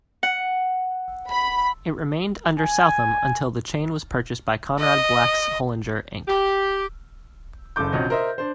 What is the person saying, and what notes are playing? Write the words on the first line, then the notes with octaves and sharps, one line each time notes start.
It remained under Southam until the chain was purchased by Conrad Black's Hollinger Inc..
F#5
B5
G#5
D#5
G4
F#1 C#3 A4 D6 G6
A#1 C3 C#4 F#4 D#5
A#4 C5 D#5 E5
D4 C5